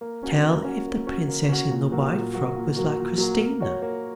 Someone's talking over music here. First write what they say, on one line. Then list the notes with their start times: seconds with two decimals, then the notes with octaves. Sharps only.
"Tell if the princess in the white frock was like Christina."
0.01 A#3
0.23 C#4 F#4
0.43 A#3
0.65 C#4 F#4
0.86 A#3
1.07 C#4 F#4
1.28 A#3
1.49 C#4 F#4
1.70 A#2
1.92 F#3 A#3 F#4
2.13 A#2
2.33 F#3 A#3 F#4
2.55 A#2
2.76 F#3 A#3 F#4
2.97 A#2
3.18 F#3 A#3 F#4
3.40 A#3
3.60 F#4 C#5
3.82 A#3